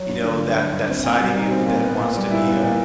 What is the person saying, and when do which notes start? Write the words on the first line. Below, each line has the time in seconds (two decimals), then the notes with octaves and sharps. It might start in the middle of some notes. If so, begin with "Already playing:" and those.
you know, that that side of you that wants to be a
Already playing: F#3
0.08 G2
0.24 D3
0.39 G2
0.56 F#3
0.72 G2
0.87 C4
1.04 A#2
1.20 G3
1.36 D#4
1.51 C4
1.67 A#2
1.82 B3
1.99 A#2
2.16 G3
2.31 E4
2.47 B3
2.63 A#2